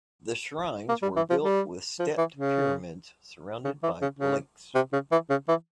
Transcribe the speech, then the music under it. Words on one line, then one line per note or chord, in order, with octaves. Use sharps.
The shrines were built with stepped pyramids surrounded by lakes.
A#3
G3
E3
F3
G3
F3
E3
C#3
C#3
E3
C#3
C#3
C3
C#3
E3
C#3
E3